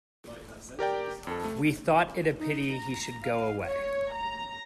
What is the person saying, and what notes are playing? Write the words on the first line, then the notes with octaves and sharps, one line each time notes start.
We thought it a pity he should go away.
G4 A#4 D5 G5
F2 A4
A3
D#4
A#5
F5
C#5
A#5